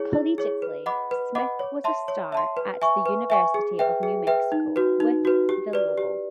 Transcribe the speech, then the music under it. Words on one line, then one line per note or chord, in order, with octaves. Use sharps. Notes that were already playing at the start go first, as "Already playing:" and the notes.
Collegiately, Smith was a star at the University of New Mexico, with the Lobos.
Already playing: E4 G#4 C#5
E4
G#4 C#5
B4
D#5 F#5 B5 D6
B4
D#5 F#5 B5 D6
C#5
E5 A5 C6
C#5
E5 A5 C6
B4
E5 G#5 C#6
B4
E5 G#5 C#6
G#4
B4 E5 G5
G#4
B4 E5 G5
D#4
F#4 B4
D#4
F#4 B4
G4
B4 D5
G4